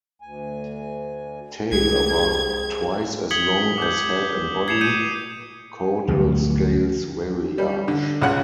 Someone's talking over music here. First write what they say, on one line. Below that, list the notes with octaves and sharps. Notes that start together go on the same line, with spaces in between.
Tail about twice as long as head and body; caudal scales very large.
D2 G#5
C2 G#2 G#3 G4 G#4 G#6
D#6 G#6 B6 C#7 F#7 G7
D6 G6
G#6 C7 C#7 E7 F7
D#6 G6 C#7 D#7
D2 F3 F#3 A3
G3
D3
C#2 C#3 F#5 F#6